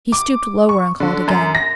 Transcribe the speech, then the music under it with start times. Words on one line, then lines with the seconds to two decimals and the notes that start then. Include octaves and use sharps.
He stooped lower, and called again.
0.12 D6
0.69 C#6
1.00 D3
1.28 F#2
1.55 A#6